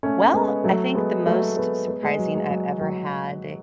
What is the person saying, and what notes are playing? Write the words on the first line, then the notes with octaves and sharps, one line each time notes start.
Well, I think the most surprising I've ever had
A3 C#4
G#3 B3
F#3 A3
G#3 B3
F#3 A3
G#3 B3
G#3 B3
G#3
F#3
G#3
F#3
F#3